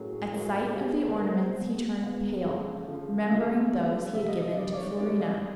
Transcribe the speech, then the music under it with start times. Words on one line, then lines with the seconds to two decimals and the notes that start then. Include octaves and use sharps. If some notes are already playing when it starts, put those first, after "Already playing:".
At sight of the ornaments he turned pale, remembering those he had given to Florina.
Already playing: A2 F#3 A#3 C#4 G#4
0.32 A2 F#3 A#3 C#4
0.75 B2 G#3 B3 G4
0.89 G#4
1.03 A4
1.18 B2 G#3 B3 A#4
1.31 C5
1.60 B2 G#3 B3
2.03 B2 G#3 B3
2.44 C#3 F3 A3
2.87 C#3 F3 A3
3.29 C#3 F3 A3 E5
3.72 C#3 F3 A3
4.14 C3 D#3 G3 E5
4.28 D#5
4.42 D#5
4.56 C3 D#3 G3 D5
4.72 D5
4.77 C#5
4.98 C3 D#3 G3 D5
5.20 D#5